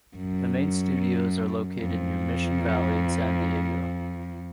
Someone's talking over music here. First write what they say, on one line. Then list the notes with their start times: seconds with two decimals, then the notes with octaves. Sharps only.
The main studios are located near Mission Valley in San Diego.
0.16 F#2
1.80 F2